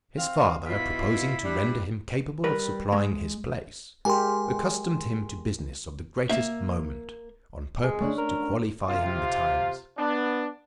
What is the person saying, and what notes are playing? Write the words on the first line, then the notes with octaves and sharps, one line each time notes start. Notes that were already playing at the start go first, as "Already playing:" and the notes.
His father proposing to render him capable of supplying his place, accustomed him to business of the greatest moment, on purpose to qualify him betimes.
C4 F5
B2 E4 F4 B6
G3 D4
G3 A#4 B4
G#3
G#3 G4 A#4 G#5 C6
A#3 E5
G#3
A3 C#4 D4
A#4
C3 F4
B3 D4